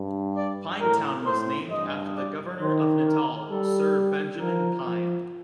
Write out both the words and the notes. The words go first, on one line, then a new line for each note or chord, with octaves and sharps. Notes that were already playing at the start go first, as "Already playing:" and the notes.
Pinetown was named after the governor of Natal, Sir Benjamin Pine.
Already playing: G2
D5
A2 A#4
A2 C5
G2 D#5
D5
D#3 C5
A#4
G3 A4
F3 A#4
F3